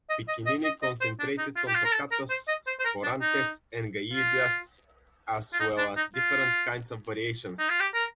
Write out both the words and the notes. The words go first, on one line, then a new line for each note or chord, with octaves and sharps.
Piccinini concentrated on toccatas, courantes and galliards, as well as different kinds of variations.
D#5
D#5
D#5
D#5
D#5
C5
D4
D#4
F4
G4
F4
A#4
A4
A#4
C5
D#5
C5
C5
A#4
D4
D#4
F4
F4
D#4
D4
D#4
F4
D#4
F4
G4
A#4